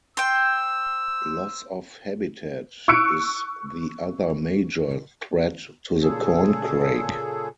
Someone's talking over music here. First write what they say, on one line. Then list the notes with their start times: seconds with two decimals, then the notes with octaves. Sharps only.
Loss of habitat is the other major threat to the corn crake.
0.17 C5 G5 E6
2.88 C#6 E6 F#6 C#7 D7
6.03 A#2 C#3 G#4 A4